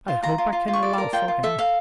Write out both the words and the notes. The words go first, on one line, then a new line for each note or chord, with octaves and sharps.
I hope I can allow for him.
F4
F4 A#5
F4
F4
F4
C#6
D5
A#4 A5
F4 G5
F4
A4 E5
A4 F5